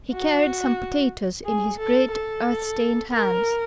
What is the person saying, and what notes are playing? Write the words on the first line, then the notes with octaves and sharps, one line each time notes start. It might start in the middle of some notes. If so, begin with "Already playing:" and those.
He carried some potatoes in his great earth-stained hands.
F#4
G#4
A4
A4
A#4